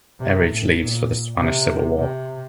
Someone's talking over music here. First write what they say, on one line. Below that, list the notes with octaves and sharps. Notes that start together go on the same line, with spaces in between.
Erridge leaves for the Spanish Civil War.
C3
A2
A#2
C3
C3